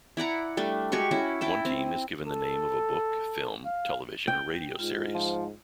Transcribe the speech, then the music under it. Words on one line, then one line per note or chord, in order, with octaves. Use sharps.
One team is given the name of a book, film, television or radio series.
E4 D5 F#5 A#5
G3 A3 D4
G#3 F#4 G4 C#6
C#4 E4 F#4
E4 G5 A5
C4
A4
F5
G5
G#2 F4
F3